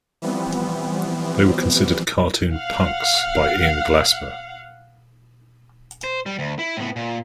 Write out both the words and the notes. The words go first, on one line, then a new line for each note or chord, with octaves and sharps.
They were considered "cartoon punks" by Ian Glasper.
E3 F3 G3 B3 C4
F5 F#5
C5
G3
D2
E4
A2 B3
A#2